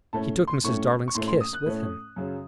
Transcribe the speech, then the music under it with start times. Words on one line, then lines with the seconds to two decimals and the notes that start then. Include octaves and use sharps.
He took Mrs. Darling's kiss with him.
0.13 A2 A3 C#4 A5
0.47 C6
0.64 A2 A3 C#4 C#6
1.08 C#6
1.15 A2 A3 C#4 C6
1.28 C6
1.40 D#6
1.53 F#6
1.66 A2 A3 C#4
2.16 F#2 C#3 F#3